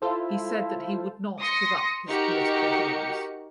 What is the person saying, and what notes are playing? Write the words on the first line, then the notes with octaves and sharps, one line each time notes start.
He said that he would not give up his political views.
E4 F4 A4 C5
C6 D#6 A#6 C#7
D#4 F#4 G4 A#4 C#7